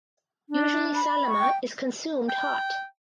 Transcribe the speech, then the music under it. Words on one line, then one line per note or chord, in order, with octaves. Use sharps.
Usually salama is consumed hot.
D4
B5
C#6
G5
G5